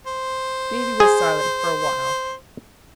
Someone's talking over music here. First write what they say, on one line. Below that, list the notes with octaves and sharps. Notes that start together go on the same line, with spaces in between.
Davie was silent for a while.
C5
G#4